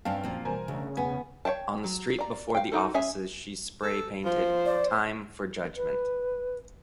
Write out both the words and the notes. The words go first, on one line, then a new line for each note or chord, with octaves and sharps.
On the street before the offices she spray painted "Time for judgement".
G2 C4 C#4 F5 G5 A5
A#1 F#2 A#2 F3 C4
B2 E3 G3 A#4 C5 G#5
D2 C#3
E1 B3 G#5
C#5 F5 G5 A5
F#3
D5 A#5
F5 G5
D#4 F#4 A4
C#4 G#4 C#5 E5 G#5
A4
F3 C5
D5
B4